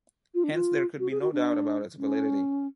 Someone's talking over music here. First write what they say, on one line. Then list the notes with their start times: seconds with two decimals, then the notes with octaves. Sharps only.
Hence there could be no doubt about its validity.
0.34 F4
0.44 D4
0.53 F4
0.99 F#4
1.11 G#4
1.21 F#4
1.33 D4
1.98 C#4